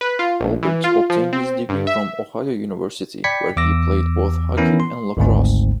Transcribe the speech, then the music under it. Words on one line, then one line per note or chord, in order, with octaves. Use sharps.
Albert obtained his degree from Ohio University where he played both hockey and lacrosse.
B4
F4
A#1
E3
F4
F3
C4
G2
E5
D5 G5 B5 G#6 B6 C#7
E2 D6 E6 A#6
E3 B3 C#4 E4 A#4
C6
G#1 D2 G#2 C4